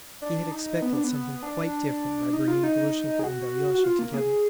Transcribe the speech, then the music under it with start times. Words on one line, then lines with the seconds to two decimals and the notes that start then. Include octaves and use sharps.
He had expected something quite different by bringing Grushenka and Alyosha together.
0.22 D4
0.51 D#4
0.82 B3
0.93 D4
1.04 B3
1.43 D4
2.33 D#4
2.48 F4
2.63 D#4
3.19 G#4
3.24 F#4
3.74 F#4
3.84 F4
3.99 A#3
4.14 G#4